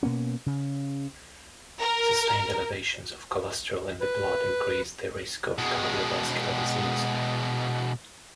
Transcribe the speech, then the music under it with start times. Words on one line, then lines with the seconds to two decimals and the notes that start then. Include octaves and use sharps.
Sustained elevations of cholesterol in the blood increase the risk of cardiovascular disease.
0.03 B2 A#3 B3 C#4
0.46 C#3
1.81 A#4
4.01 B4
5.58 B2 G#3